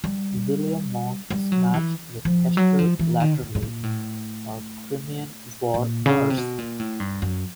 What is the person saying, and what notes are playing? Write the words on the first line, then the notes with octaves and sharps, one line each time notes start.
William Monk is matched with Hester Latterly, a Crimean War nurse.
G3
G3
F#3
E3
F3
F#3
F3
E3
D#3
A2
A2
A#2
A2
A#2
C#3
C3
B2
A#2
A2
G2
F#2